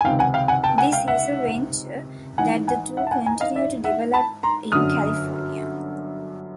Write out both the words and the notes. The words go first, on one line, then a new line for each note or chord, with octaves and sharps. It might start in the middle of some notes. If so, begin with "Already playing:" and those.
This is a venture that the two continue to develop in California.
G#5
C#2 C3 D#3 F5 G5
F#5 G#5
F5 G5
F#5 G#5
G5 A5
F#5 G#5
F5 G5
E5 F#5
G#1 G#2 E3 F#5 G#5
F#5 G#5
E5 F#5
A5
F#5 G#5
G#5 A#5
D#5 F5
D5 E5
E5 F#5
A5 B5
A#5 C6
G1 F#2 D3 D#6 F6